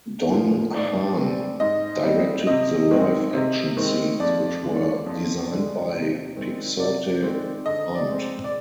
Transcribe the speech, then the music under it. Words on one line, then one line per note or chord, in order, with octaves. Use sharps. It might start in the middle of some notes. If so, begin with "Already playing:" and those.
Don Hahn directed the live action scenes which were designed by Pixote Hunt.
D3 F3 A#3
G#2 D5
G3 C4
G#2 D#5
G3 C4
C3 D#5
D#3 G#3 C4
C3
D#3 G#3 C4
F2 D5
D3 G#3
F2
D3 G#3
C3
D#3 G#3 C4
C3 D5
D#3 G#3 C4
D3 D#5
D5
G#3 C4
D5